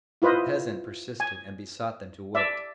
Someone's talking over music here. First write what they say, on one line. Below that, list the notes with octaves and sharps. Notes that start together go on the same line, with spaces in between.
The peasant persisted and besought them to wait.
E4 F4 B4 C5 D#5
G#5
D5 E5